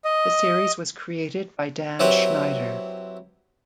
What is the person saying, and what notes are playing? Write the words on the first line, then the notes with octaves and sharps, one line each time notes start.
The series was created by Dan Schneider.
D#5
F#3 C4 E4 G4 B4 C#5